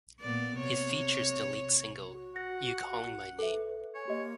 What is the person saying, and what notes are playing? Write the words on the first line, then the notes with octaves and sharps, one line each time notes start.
It features the lead single "You Calling My Name".
A#2 B3 D5
C3 C#5
F#4
F#5 A#6
A4 B4 E5
C#5 G#5
A#3 G4 D#5